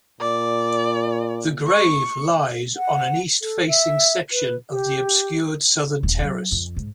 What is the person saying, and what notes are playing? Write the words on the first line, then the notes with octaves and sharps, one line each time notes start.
The grave lies on an east-facing section of the obscured southern terrace.
A#2 D5
C#6
F#5
A4
E5
B4
G4
D#1
F#3
F2
G#2